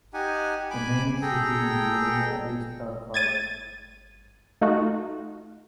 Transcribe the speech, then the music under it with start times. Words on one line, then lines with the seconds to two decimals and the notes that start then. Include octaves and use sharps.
The main city in the area is Tarfaya.
0.14 D#4 G4 F#5 G#5
0.70 G#5 B5 D6
1.22 G#4 A4 G5 A#5
3.14 G#6 A6 D#7
4.61 A3 D#4 F4 F#4